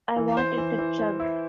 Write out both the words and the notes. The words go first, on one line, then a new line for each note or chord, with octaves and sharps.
I want it to chug.
E3
C5
E3
E3
C5
E4